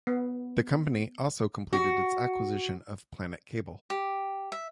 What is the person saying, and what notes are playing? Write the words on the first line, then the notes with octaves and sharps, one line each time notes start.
The company also completed its acquisition of Planet Cable.
B3
F#4
G4
E5